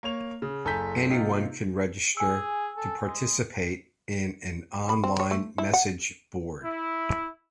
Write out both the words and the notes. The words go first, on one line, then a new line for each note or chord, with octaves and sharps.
Anyone can register to participate in an online message board.
A#3 C#5 F7
C#3
F#1 A4 G#5 A#5 G6 B6
C3 A#3 D#4 F4
G#4 G#5 E6
A4
G#3
B5
C4
C#5
A3
E4
F#5
E4